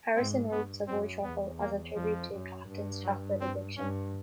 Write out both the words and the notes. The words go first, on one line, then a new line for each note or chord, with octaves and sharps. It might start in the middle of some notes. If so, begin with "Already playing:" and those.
Harrison wrote "Savoy Truffle" as a tribute to Clapton's chocolate addiction.
G#2 C4
G2 B3
F#2 C4
E2 B3
A#3
F2 F3
F#2
G2
F#3
C4
G2 C#4